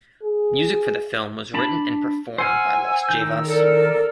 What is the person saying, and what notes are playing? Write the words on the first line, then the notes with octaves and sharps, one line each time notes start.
Music for the film was written and performed by Los Jaivas.
G#4
D4 A5 B5
C5 F#5 G#5 E6 F6
D#3 G6
A4 A#4 D5